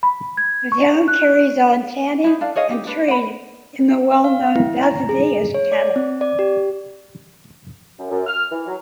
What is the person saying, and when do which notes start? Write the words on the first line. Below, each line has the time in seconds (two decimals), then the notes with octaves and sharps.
The town carries on tanning and trade in the well-known Bazadais cattle.
0.03 B5
0.37 G#6
0.72 C#6
1.08 F#6
2.24 D#4 E4
2.41 D4 A4 F5
2.56 G#4 C#5 D#5 F5
2.70 D#4 G4
2.87 D4 B4
3.08 F#5 B5
4.24 F5
4.55 E4
4.83 A#5
5.09 G#4
5.54 C#5
5.72 D5
5.96 C4
6.21 D5
6.39 G4
7.98 F#2
8.10 F#2
8.26 F6
8.52 E3
8.67 F#3